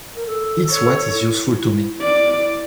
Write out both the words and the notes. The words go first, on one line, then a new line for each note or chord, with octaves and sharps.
It's what is useful to me.
A#4
A4
C#5
E4
E4 D5
D#4
E4